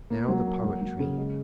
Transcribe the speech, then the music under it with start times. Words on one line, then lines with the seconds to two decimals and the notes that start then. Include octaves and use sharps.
"Now the poetry."
0.10 A#3
0.28 F#3
0.46 A#3
0.64 F#3
0.81 F#3
1.00 C#3
1.18 G#3